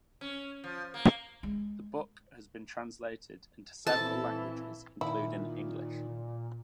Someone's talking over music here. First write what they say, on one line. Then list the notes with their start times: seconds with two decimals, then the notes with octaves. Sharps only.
The book has been translated into several languages including English.
0.21 C#4
0.64 F3
0.94 A#3
1.43 G#3
3.87 A#2 E3 C4 A4 A5
5.01 A#2 D#3 E4